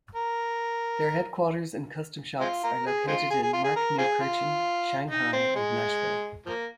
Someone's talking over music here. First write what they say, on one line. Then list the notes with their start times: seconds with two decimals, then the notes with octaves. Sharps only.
Their headquarters and custom shops are located in Markneukirchen, Shanghai, and Nashville.
0.15 A#4
2.40 G#3 C4 F4
2.64 F4 A#4
2.86 G#4
3.08 G#3 C4 F4
3.30 G#4
3.42 G#4
3.53 F4
3.64 G#4
3.76 A#4
3.98 C4 F4 G#4
4.21 F4
5.10 D#4
5.33 C4
5.56 G#3
6.46 F3 A#3